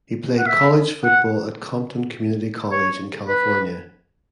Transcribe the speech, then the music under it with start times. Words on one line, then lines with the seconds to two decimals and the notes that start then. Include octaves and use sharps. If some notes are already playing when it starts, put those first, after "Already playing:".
He played college football at Compton Community College in California.
0.38 F#5
0.46 E5
1.04 F#5
2.71 C#5
3.27 B4